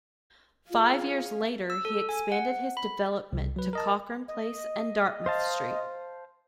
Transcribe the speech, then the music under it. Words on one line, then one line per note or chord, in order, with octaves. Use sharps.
Five years later he expanded his development to Cochran Place and Dartmouth Street.
F4 G#4 F5
E6
A4
G#5
F#5
B5
C2
F#3 B4
A#4 D#5 A5
D#5
C5 F5 A5